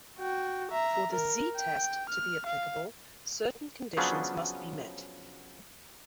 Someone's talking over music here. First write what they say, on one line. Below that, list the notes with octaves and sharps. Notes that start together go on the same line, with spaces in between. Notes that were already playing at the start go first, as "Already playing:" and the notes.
For the "Z"-test to be applicable, certain conditions must be met.
F#4 G5
E5 A#5
A#4
G5
F6
F5
C#3 F3 F#3 B3 C#4 D4